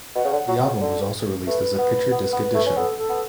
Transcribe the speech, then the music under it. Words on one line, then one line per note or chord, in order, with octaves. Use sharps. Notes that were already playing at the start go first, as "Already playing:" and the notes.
The album was also released as a Picture Disc Edition.
B2 F#5
C#3
D3
F#3
C#3
D3
A3 B4
B3
B3
B3
A3
C#4
B3 A4
A4
B3